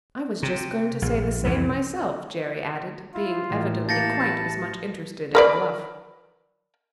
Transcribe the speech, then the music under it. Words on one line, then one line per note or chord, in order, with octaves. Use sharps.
"I was just going to say the same myself," Jerry added, being evidently quite as much interested as Bluff.
C3
A#1
C2 F2 E3
E4 F4
A1 A#2
A#3 A5 F#6 G6 A6 A#6 C#7
B4
A#4 B4 D5